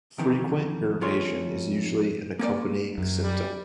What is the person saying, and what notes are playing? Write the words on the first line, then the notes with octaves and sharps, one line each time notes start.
Frequent urination is usually an accompanying symptom.
F2 D#3 E3
F2 A3 F4 G#4 C#5 C6
A#3 D5
F#2
G3